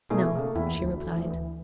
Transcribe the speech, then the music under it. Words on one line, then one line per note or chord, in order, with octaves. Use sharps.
"No," she replied.
B2 A3 D#4 G#4
C#3 A#3 A4
E2 E4
D2
E3